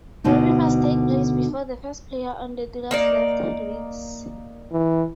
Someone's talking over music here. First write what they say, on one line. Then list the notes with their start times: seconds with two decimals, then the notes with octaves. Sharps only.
Robbing must take place before the first player on the dealer's left leads.
0.24 D2 B2 D3 D#4
2.91 A#3 D#4 D5
4.72 E3